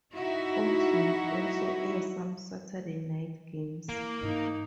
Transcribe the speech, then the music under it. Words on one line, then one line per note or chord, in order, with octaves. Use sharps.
Fox will also air some Saturday night games.
D#4 E4 F#4 E5
A#3 E4
G#2 E3 D#4